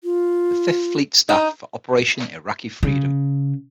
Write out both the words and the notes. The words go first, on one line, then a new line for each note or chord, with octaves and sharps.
Fifth Fleet staff for Operation Iraqi Freedom.
F4
D#4
C#3